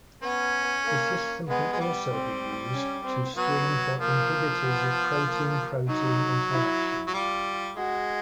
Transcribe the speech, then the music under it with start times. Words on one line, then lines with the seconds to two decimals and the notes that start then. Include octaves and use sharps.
The system can also be used to screen for inhibitors of protein-protein interactions.
0.22 B3 C#4
0.86 A#3
1.48 G#3 B3
1.73 G#3
1.80 G3
2.11 C4
2.74 C#4
3.05 C4
3.36 F#3 B3
4.00 F3 A#3
4.62 B3
5.25 A#3
5.88 F#3 D#4
6.52 E4
7.07 F#3
7.13 G3 F4
7.76 G#3 F#4